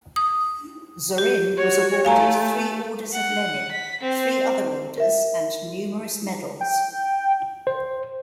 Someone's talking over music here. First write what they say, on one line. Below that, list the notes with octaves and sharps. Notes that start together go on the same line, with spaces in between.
Zorin was awarded three Orders of Lenin, three other orders and numerous medals.
D#6
G4
F#4 C#5
A3 F5 G#5 A#5
F#5
B6
C4
A#4 E5
G5
C5